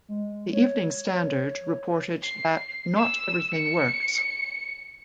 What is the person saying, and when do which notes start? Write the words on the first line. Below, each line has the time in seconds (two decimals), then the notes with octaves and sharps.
The "Evening Standard" reported that "Not everything works".
0.09 G#3
0.53 C#5
2.22 C7
2.96 E6
3.53 C#7